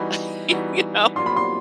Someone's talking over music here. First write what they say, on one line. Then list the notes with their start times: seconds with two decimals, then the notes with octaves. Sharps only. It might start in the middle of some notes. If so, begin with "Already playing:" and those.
Like, you know,
Already playing: E3 G3 B3 D#4 F#4 B5
0.49 E3 G3 B3 D#4 F#4
1.16 F#3 A#3 D4 F4 C6
1.26 B5
1.36 C6